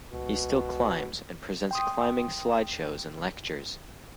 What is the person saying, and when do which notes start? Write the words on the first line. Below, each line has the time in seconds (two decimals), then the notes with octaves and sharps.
He still climbs, and presents climbing slide shows and lectures.
0.13 C#2 B2
1.71 G5 C6 D#6